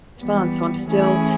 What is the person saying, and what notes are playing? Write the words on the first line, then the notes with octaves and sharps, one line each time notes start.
respond, so I'm still,
E3 G3 B3
E3 A3 C#4 E4 G#4